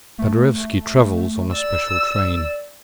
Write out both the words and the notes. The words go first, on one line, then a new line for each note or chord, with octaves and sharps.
Paderewski travels on a special train.
A3
D5 E6